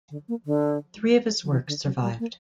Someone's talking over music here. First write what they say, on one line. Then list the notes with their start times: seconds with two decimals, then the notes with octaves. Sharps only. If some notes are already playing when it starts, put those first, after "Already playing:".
Three of his works survived.
0.10 D3
0.28 A#3
0.46 D3
1.44 F#3
1.50 E3
1.67 D3
1.85 F#3
2.02 G3
2.19 A#3